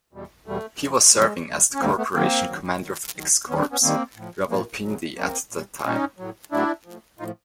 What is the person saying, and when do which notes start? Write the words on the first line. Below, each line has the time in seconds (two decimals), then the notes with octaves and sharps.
He was serving as the Corporation Commander of X Corps, Rawalpindi at that time.
0.13 E2 B2 G3
0.46 E2 B2 G3 A3
0.80 F2 C3 F3
1.14 F2 C3 F3 G#3
1.47 D2 D3 G3
1.74 C#4
1.81 D2 D3 G3 A#3 C4
1.98 A3 B3
2.15 F#2 D#3 F#3 A#3 C4
2.48 F#2 D#3 F#3
2.82 D#2 D#3 F#3
3.15 D#2 D#3 F#3
3.49 D#2 D#3 G3 B3 C#4
3.60 C4 D4
3.72 B3 C#4
3.82 D#2 D#3 G3 A#3 C4
4.16 A2 F3
4.49 F3 G#3 A#3
4.53 A2
4.84 E2 C#3 F#3
5.17 E2 C#3 F#3 A#3 C4
5.51 A#2 G3
5.84 A#2 G3 C#4 D#4
6.18 A2 F#3
6.52 A2 F#3 D4 E4
6.85 A2 F3
7.19 A2 F3 D#4 F4